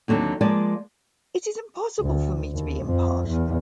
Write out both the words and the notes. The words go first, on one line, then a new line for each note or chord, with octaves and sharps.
It is impossible for me to be impartial.
D#2 D3 F#3 C4 A4
F3 G#3 A#3 D5 A5
D2
D#2
F2
E2